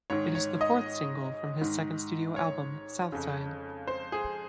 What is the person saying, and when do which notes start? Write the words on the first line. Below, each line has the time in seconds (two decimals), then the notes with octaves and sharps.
It is the fourth single from his second studio album "Southside".
0.10 G#2 D#3 C#5
0.35 C#5
0.61 D#5
1.61 G#2 D#3
2.36 C#5
3.12 F2 C#3
3.87 C5
4.12 G#4